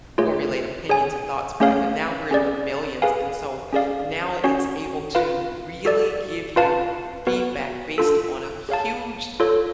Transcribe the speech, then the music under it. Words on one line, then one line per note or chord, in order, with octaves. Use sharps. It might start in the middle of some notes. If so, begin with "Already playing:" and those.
formulate opinions and thoughts by, but now we're in the millions, and so now it's able to really give you feedback based on a huge
A3 F4 G#4 C#5
G#4 C#5 G#5
A3 C#4 G#4 C#5 F5
C#4 G#4 D5
G#4 B4 F5 G#5
C#4 G#4 D5 F5
C#4 F#4 C#5
F4 B4 F5
F#4 A4 D5
F4 B4 F5 A5
B3 F#4 B4
D4 F4 A4
G#4 C#5 F5 A5
F4 A4 C#5